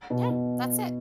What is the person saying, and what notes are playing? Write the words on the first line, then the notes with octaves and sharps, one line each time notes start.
Yeah, that's it.
B2
B2